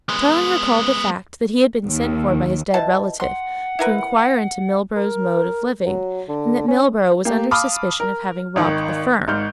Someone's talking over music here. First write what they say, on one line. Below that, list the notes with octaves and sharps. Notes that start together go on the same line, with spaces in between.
Tarling recalled the fact that he had been sent for by his dead relative to inquire into Milburgh's mode of living and that Milburgh was under suspicion of having robbed the firm.
G#3 B3
D#2
B2 E4 A5
F#5 C6
E4 A#4 B4
A#4
F#3
D3
C#4
A#3 G4
F5 A5 B5 D6 D#6 F6
A#4
G#1 D#3
G#1 G#2 F6 G6